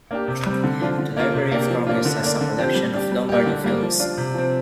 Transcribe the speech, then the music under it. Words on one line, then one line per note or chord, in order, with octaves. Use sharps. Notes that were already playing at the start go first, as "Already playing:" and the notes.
The Library of Congress has a collection of Lombardo films.
A#3 D4 G4
C3
G3 C4
D3
F3 D4 F4
D3
A#3 F4
C3
A#3 D4 G4
F3
A#3 D4 F4
D3
A#3 D4
D3
F3 C4 G4
G3
D4 G4
G3
A#3 G4
D3
G3 A#3 D4
F3
D4 F4
C3
F3 C4